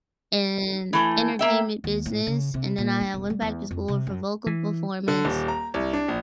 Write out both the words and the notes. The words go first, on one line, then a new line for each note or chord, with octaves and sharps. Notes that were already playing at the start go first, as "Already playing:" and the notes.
and entertainment business, and then I, uh, went back to school for vocal performance.
E3 A3
A#3 E5 G5
D#2
A2
C#3
C3
A#2
D4
E1
G3
E2
F2
C3
F#2
E3
D3
D#1
A#5
C2
D4
A#1